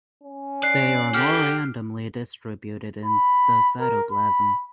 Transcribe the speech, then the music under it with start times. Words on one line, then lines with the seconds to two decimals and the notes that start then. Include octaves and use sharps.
They are more randomly distributed in the cytoplasm.
0.24 C#4
0.63 D5 F#6 C7
1.14 G4 A4 F#5 F6
3.06 B5
3.80 A#4
4.12 B5